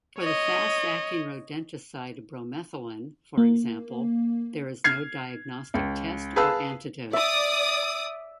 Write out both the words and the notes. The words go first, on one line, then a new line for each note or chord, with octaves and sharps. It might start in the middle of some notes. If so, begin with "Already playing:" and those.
For the fast-acting rodenticide bromethalin, for example, there is no diagnostic test or antidote.
C#5 D#5
A#3
F6 G#6 C7
C#2
G#4 B4 F5 A5 E6
D5 E5 D#6